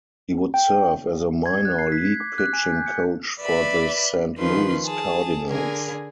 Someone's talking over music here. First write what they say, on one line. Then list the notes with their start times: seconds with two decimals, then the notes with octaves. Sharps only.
He would serve as a minor-league pitching coach for the Saint Louis Cardinals.
0.54 G5
1.46 G#6
1.65 F#6
1.79 C7
1.92 B6
2.05 G#6
2.20 D6
2.38 F#6
2.53 G#5
2.73 G6
2.86 C#7
3.40 B4 D5 E5 B5
4.38 D#3 F3 B4 C6
4.85 G#4 A5
5.48 D3 G#4 A#4 G#5